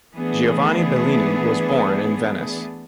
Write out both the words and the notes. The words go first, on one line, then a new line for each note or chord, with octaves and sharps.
Giovanni Bellini was born in Venice.
E3 A3 B3 D4 G#4